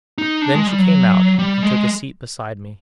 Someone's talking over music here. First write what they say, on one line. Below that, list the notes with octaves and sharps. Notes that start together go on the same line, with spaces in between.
Then she came out, and took a seat beside me.
D#4
D4
G#3
G3
F#3
G3
G#3